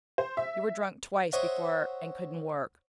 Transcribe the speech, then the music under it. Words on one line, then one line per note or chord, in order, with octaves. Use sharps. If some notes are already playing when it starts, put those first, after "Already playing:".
You were drunk twice before and couldn't work.
C5
E5
C5 C#5 D#5 E5 F#5